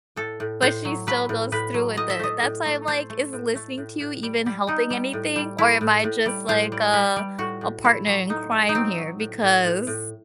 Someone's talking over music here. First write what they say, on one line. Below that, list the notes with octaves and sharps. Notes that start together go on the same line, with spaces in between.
but she still goes through with it. That's why I'm like, "Is listening to you even helping anything, or am I just like, uh, a partner in crime here?" because
A2 A4
A2
A2 C5
F#3
F#3 B4
A2
A2 B4
F#3
A2 D#5
E5
A3 D#5
A2
A3
A3 C5
A3
A2
A3
A2
A2
G3
G3
G3 D#4
G3
A2
G3
A2 E4
A2
A2
G3
A2 C5
G3
G3 B4
G3
A2 F#4
A2
A3 E4
F#3
A2 D#4
A2
D#4
F#3 C4
F#3
A2
A2
A2
A2